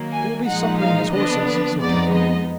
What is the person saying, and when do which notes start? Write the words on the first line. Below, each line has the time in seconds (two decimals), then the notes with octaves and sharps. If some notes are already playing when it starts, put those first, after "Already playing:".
"He'll be suppering his horses," said Turkey.
Already playing: D#3 F#3 A#3
0.12 G#5
0.46 A#2 F3 G#3 D#4 F#5
0.79 F5
1.12 D3 F3 B3 D4 D#5
1.46 B4
1.80 F2 F3 G#3 B3 D#4 D5
2.13 D#5